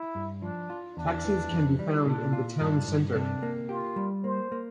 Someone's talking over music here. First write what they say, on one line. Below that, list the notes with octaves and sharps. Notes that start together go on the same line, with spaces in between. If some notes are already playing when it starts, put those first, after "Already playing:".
Taxis can be found in the town centre.
Already playing: E4
G2
F3 D4
F4
E2 D4
E3
F2
G3
A#2 D4
F4
G2 D4
G2
C3 D4
A#3
F4 G4
G3
A#3 C5
A#3